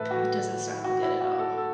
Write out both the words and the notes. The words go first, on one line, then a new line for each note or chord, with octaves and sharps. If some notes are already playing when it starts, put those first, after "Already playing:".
That doesn't sound good at all.
Already playing: A2 E3 A4 B4 E5
F#4
F#4
E4
F#4
A4
A4